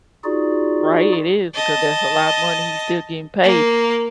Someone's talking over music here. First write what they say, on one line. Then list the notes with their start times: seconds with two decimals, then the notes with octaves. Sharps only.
Right, it is because that's a lotta money he's still getting paid
0.24 D#4 F4 F#4 G#4 D5
1.54 D#5 A5
3.44 A#3